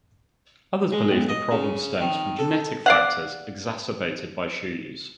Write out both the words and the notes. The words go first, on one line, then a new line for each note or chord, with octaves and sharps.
Others believe the problem stems from genetic factors, exacerbated by shoe use.
G#3
B1
D#5
C#3
D#3
A4
D5 F5 F#5